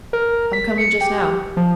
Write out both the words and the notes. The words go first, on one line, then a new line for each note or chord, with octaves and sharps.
"I'm coming just now."
A#4
B6
C#7
G4
F3